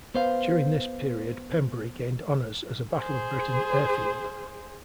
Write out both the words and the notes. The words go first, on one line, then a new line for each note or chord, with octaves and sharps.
During this period Pembrey gained honours as a Battle of Britain Airfield.
B3 C5 F5
G#4 C5